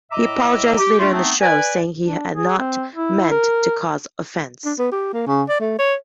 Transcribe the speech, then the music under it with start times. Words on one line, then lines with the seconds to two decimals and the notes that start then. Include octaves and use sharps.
He apologised later in the show, saying he had not meant to cause offence.
0.11 A2 D#5 E5 A#5 D6
0.78 G4
0.98 A3 D4 F4
1.13 A3 B3 C4 D4 D#4
1.41 B4 D5 G#5
2.06 D4
2.33 G#4
2.58 C4
2.95 E4
3.31 A#4
4.65 D4
4.79 B3
4.92 G4
5.13 A#3
5.27 C#3
5.49 D5
5.60 A3
5.79 C#5